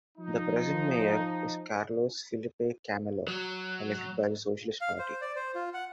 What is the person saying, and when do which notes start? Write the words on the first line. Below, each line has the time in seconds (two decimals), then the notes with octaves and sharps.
The present Mayor is Carlos Filipe Camelo, elected by the Socialist Party.
0.18 F3 D#4
3.28 F#3
4.81 F5
4.99 C5
5.21 D5
5.36 C5
5.55 F4
5.74 F#5